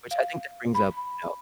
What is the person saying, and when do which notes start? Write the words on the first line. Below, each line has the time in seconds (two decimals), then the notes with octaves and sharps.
which I think that brings up, you know,
0.11 F5
0.75 B5